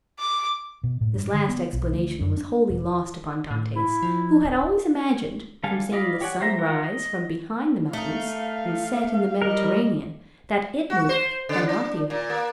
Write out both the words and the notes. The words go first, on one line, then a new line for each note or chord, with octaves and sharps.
This last explanation was wholly lost upon Dantes, who had always imagined, from seeing the sun rise from behind the mountains and set in the Mediterranean, that it moved, and not the earth.
D6
B2
A2
G2
D3
B3
B1
D2
F#2
D4
E1
A2
E4
F3
D1
D3 G3 A4 F5 G#5
F4 D5 D#5 F5 B5
G4 C#5 D5 F#5 G#5
G3 C5 E5 A#5
F4 A#4 F#5
D#5
A3 D#4 F5
G3 A#4 D#5
F#4
C5
C#3
D4
A#2
A#3